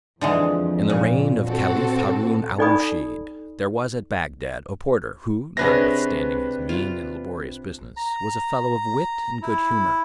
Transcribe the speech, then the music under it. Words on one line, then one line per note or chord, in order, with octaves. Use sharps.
In the reign of Caliph Haroon al Rusheed, there was at Bagdad, a porter, who, notwithstanding his mean and laborious business, was a fellow of wit and good humour.
F2 D3 E3 G#3
A#2
C4 F#4 A4
D#4 A4 D5 G#5 B5 D#6
C3 C#4 D4 G#4 B4 A#6
F4
A#5
E4